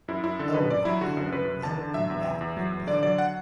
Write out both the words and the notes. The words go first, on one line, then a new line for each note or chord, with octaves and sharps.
"Oh, how welcome that would be!"
F#2 E4
F#2 E4
D3 A4
F#2 B4
F#2 D5
F#3 E4
D3 F#4
F#2
F#2 B4
F#2
E2 A5
D3
F#3 E5
E2
E2
E2
F#3
E2
D3 D5
F#3 D5
F#5